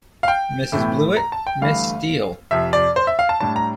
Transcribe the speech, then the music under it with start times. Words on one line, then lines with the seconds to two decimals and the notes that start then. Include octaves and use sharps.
Mrs. Blewett, Miss Steele.
0.23 F5
0.28 G5
0.72 A2 E3 A3 E4
1.17 A#5
1.32 A5
1.47 G5
1.61 G1 G2 E3 A3 E4 F5
2.51 F2 C3 F3 E5
2.73 D5
2.96 C5
3.07 E5
3.19 F5
3.29 A5
3.40 A2 G3 D4 A5
3.56 A#5